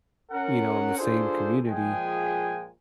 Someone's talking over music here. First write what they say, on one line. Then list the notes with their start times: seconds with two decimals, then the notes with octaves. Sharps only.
you know, in the same community,
0.32 C#4 A#4 F#5
0.98 D4 F4 G#4 A4 C5
1.67 A#2 F3 G#3 G#4 G5 G#5